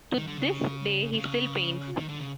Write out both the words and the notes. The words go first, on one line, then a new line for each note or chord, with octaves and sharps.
To this day he still paints.
D#3
D3
C#3
C3
C#3
D#3
D3
C#3